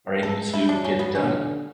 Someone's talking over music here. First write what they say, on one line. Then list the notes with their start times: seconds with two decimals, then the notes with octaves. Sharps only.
are able to get it done.
0.23 G#3 A4
0.54 E4
0.69 F#3 D4
0.84 C#4
0.99 B3
1.15 D3 C#4